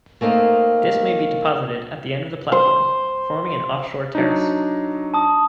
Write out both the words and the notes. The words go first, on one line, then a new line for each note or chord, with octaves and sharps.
This may be deposited at the end of the platform, forming an off-shore terrace.
A3 A#3 C4 D#4 D#5
C5
F#3 D4 D#4
A5 D#6